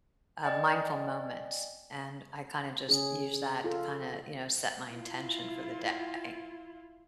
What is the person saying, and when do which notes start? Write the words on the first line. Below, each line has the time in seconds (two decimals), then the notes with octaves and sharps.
uh, mindful moments, and I kinda just use that to kinda, you know, set my intention for the day.
0.43 D5 D#5 G5 G#5 A6
2.89 C#3 C#4 G#4
3.64 F4 A4
4.90 E4 F4